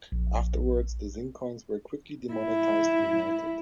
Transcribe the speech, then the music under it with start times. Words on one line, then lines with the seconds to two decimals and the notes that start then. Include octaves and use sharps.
Afterwards, the zinc coins were quickly demonetized and melted.
0.12 A#1
2.33 E4